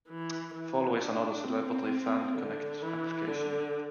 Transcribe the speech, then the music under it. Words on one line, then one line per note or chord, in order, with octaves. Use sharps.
Follo is another celebrity Fan-connect application.
E3
E3
D4
C4
D3
E3
D3